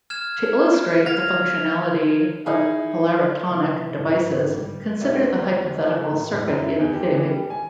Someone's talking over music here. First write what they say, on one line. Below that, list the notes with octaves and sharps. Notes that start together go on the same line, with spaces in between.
To illustrate the functionality of polaritonic devices, consider the hypothetical circuit in Fig.
F6 G#6 E7
F5 G#6 A#6
D#4 E4 G#4
C3 E3
G#2 D#3 E3
G1 G3
E1 B1 B3 G4 D5 E5
D3
A2
E1
F#2
E4
E2
G4
E3
G3
G#5